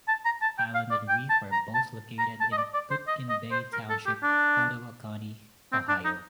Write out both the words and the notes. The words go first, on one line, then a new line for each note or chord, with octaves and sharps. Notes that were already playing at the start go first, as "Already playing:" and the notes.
Island and reef are both located in Put-in-Bay Township, Ottawa County, Ohio.
A5
A#5
A5
G5
F5
D5
G5
A5
A#5
A5
A#5
A5
D#5
D5
D5
C5
D#5
D#5
C5
A#4
A4
G4
D4
C4
D4
D#4